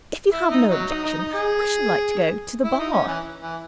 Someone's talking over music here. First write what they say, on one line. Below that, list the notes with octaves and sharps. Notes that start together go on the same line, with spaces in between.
If you have no objection, I should like to go to the Bar.'
E4
D#4
F#3
D#4
D#4
D#4
G#4
E4
D#4
C#4
E3
E3